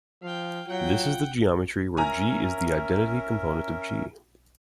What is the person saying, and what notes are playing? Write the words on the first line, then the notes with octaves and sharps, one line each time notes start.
This is the geometry where "G" is the identity component of "G".
F3 F5 G5
F#3 F4 F#5 G5
C#4 A#4 E5 G#5 A#5